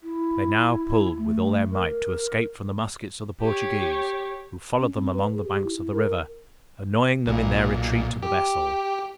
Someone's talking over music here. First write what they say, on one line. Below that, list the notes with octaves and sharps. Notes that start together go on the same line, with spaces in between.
They now pulled with all their might to escape from the muskets of the Portuguese, who followed them along the banks of the river, annoying them in their retreat to the vessel.
E4
A3
A#4
G4 C#5
C#4
C4
B4
G#4
G4
E4
E4
A#4
B1 A#2
G4